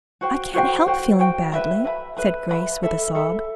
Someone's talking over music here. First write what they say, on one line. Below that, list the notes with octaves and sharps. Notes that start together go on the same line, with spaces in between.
"I can't help feeling badly," said Grace, with a sob.
F#4 C5 G5
F#4 C5 G5
F#4 C5 G5
F#4 C5 G5
B4 E5 B5
B4 E5 B5
B4 E5 B5
B4 E5 B5
A4 E5 B5
A4 E5 B5